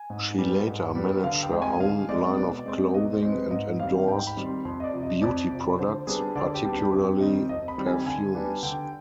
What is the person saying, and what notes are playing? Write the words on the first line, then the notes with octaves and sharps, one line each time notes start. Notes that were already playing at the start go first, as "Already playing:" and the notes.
She later managed her own line of clothing and endorsed beauty products, particularly perfumes.
Already playing: G#5
G#2
G3 B3
G#2
G3 B3
D3 F5
G5
G#3 C4
G#5
D3 F5
G#3 C4 D5
B2 D5
G#3 C4
B2 D#5
C5
G#3 C4
B4
G#2 D#5
D#3 G3 C4 F5
G#2 G5
B5
D#3 G3 C4
C6
F2 C6
D#5
D5
C3 F3
D#5
F2 D5
C3 F3
D3 C5
G3 B3 D4 G#4
D3 D5
G4
G3 B3 D4
G4
F2 G4
D#3 G3 C4 D#5
F2 D#5
B5
D#3 G3 C4
G#5
D3 G#5
G3 B3 D4
D3 G5